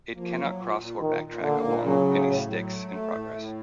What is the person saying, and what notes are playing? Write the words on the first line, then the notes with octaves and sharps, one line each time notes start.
It cannot cross or backtrack along any Stix in progress.
F3 A#3
F#3
A#2
A#2
A#2 D#3
A#2
D3 A#3
A#2
C#3 F#3
A2
A2
F#3
A3
A3
A2
A2